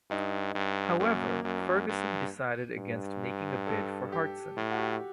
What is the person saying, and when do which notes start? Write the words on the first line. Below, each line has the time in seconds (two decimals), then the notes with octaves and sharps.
However, Ferguson decided against making a bid for Hartson.
0.10 G2 D#4
0.55 G2
1.00 F#2 A#3
1.30 A#3
1.44 F#2
1.59 A#3
1.89 G2
2.78 G2
3.67 A4
4.12 G4
4.57 A2
4.70 F#4
4.78 G4